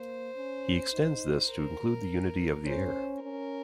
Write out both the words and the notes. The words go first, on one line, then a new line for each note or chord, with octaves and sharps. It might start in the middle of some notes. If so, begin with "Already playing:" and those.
He extends this to include the unity of the air.
Already playing: A#3 C5
C#4
D#4
A#4
C#4 C5
C#4 A#4